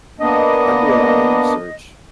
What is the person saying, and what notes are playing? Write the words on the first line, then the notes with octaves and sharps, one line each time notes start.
I do a lot of research,
A#3 B3 D4 D#5